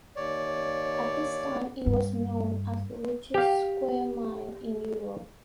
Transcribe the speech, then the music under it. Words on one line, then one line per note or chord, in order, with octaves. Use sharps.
At this time it was known as the 'richest square mile in Europe'.
D#2 C#5 D5
G2
G4 F5